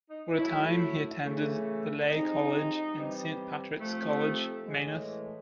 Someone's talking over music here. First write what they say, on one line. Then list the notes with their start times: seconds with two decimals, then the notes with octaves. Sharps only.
For a time he attended the lay college in Saint Patrick's College, Maynooth.
0.10 D#4
0.38 A2 F#3 A3 E4
1.23 C#3 E3 A3
2.09 C3 F3 G#3 D#4
2.94 C3 E3 G3
3.80 C3 F3 A3
4.65 A2 E3 G#3